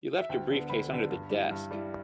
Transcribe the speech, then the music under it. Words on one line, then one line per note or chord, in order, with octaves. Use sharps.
You left your briefcase under the desk.
E5
D2 G5
D3 B3
D2 B5
D3 B3
G2
G3 E4
G2
G3 E4